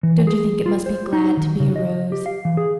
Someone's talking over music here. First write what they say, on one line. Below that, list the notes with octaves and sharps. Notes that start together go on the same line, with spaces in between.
Don't you think it must be glad to be a rose?
E3
G#4
F4
C5
D#4
D#3
C#3
D#5
G4
F5
E3
G#4